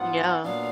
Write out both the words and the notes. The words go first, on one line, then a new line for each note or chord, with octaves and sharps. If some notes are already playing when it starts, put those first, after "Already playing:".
Mm yeah.
Already playing: G#2 F#3 B3 F4 F#5
A#2 F#3 B3 D4 F5